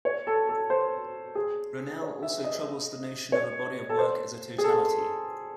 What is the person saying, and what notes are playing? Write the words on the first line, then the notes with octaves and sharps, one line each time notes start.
Ronell also troubles the notion of a body of work as a totality.
C#5
A4
A4
C5
G#4
C#5
E5
D#5
C#5
A4
C5
G#4
A4